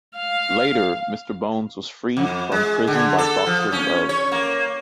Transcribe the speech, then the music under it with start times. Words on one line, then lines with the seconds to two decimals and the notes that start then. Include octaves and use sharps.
Later, Mr. Bones was freed from prison by Doctor Love.
0.17 F5
2.17 F2
2.52 G#3
2.87 D3
3.18 A4
3.46 F3
3.72 C#4
4.09 C#5
4.32 A#3